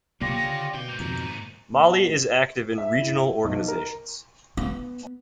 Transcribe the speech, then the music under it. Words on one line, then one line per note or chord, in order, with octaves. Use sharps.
Mali is active in regional organizations.
B1 C#3 A#3 C#4 F4 G4 D5 A#6
D3
B2 G5
G#2 A#3 G6
F2 B2 D#3 A#5
D#7
E5
E4
B1
A#4
B3